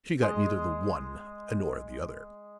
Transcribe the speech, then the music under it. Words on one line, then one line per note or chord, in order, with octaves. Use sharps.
She got neither the one nor the other.
G#3 D#5